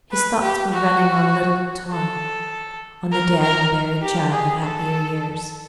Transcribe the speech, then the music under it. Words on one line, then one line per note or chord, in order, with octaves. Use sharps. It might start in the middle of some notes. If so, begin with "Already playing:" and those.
His thoughts were running on little Tom; on the dead and buried child of happier years.
B4
G4
F#4
A4
A#4
A#4
G4
G#4
A4